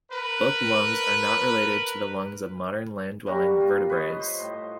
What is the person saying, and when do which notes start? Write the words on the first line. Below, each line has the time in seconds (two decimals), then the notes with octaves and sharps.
Book lungs are not related to the lungs of modern land-dwelling vertebrates.
0.11 A#4 B4
3.26 G3 A#3 F#4 A#4
3.60 F4
3.90 B4 C#5 D#5
4.20 C5
4.40 A2